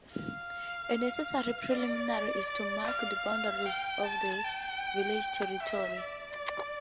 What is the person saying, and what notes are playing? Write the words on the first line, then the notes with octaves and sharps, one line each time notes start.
A necessary preliminary is to mark the boundaries of the village territory.
F5
D5
D5
F5
F5
G5
A5
G5
E5
D5